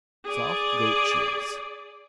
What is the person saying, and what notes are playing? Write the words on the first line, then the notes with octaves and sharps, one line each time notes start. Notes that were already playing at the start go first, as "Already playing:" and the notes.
Soft goat cheese.
G#4 D5